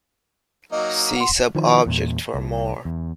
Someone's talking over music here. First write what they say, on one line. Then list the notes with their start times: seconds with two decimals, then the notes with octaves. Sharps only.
See subobject for more.
0.72 F#3 A#3 D#4 D#5
1.16 F#5 C6
1.55 D#3 F3
1.86 E2 A#2
2.34 C2
2.85 E2